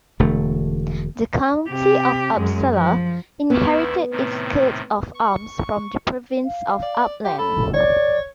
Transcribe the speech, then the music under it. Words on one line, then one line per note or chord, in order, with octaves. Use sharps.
The County of Uppsala inherited its coat of arms from the province of Uppland.
E1 D3 A3
C3 G4
F#2 G#3
F3
D2 D#3 B3 E4
A2 C3 D#3
C#6
F5
D5
G4
A4 B5
C#5 D5